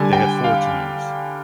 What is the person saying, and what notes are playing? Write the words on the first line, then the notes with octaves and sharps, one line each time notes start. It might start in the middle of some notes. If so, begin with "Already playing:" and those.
They had four teams.
Already playing: D3 G3 G#5
G5
F5